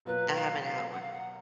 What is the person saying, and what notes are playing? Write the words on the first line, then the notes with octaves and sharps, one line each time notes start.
I haven't had one.
B2 F#3 A#3 F4 B4
F5
F5
F#5
F5
F#5